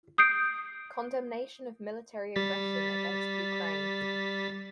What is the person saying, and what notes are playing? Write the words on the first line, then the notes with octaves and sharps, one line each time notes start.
Condemnation of military aggression against Ukraine.
D#6 G6 C7 D7
G3 A6 B6